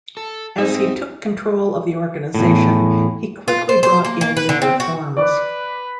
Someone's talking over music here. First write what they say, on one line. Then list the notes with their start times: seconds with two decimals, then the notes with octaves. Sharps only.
As he took control of the organization, he quickly brought in new reforms.
0.17 A4
0.58 G#2 C4 D#4 E5
2.34 E2 A2
3.48 F4
3.69 C5
3.83 C5
4.05 A#3
4.21 A#3
4.37 B4
4.49 D3
4.62 C4
4.80 F#4
5.17 B4 D5 D6